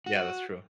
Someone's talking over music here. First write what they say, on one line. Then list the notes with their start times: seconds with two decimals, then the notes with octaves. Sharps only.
Yeah, that's true.
0.06 F#4